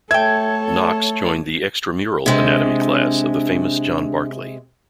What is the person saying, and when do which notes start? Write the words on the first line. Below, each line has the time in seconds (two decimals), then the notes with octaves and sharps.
Knox joined the "extramural" Anatomy class of the famous John Barclay.
0.11 A3 A4 C#5 E5 G5 G#6
2.26 C3 G#3 D4